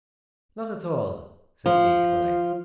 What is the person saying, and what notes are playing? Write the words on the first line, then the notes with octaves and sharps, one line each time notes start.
"Not at all," said Katy, politely.
F3